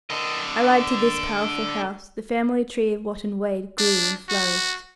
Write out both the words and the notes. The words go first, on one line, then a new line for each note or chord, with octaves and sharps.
Allied to this powerful house, the family tree of Wotton Wade grew and flourished.
D3 D#5
D4
F#4